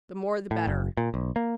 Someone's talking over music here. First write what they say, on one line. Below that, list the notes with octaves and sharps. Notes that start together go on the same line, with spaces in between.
The more the better.
A2
F#1
A#2
B1
A#3